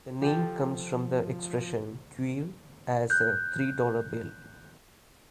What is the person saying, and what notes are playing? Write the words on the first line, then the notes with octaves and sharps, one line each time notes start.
The name comes from the expression "Queer as a three dollar bill".
F3 G4 A4
F#6 G6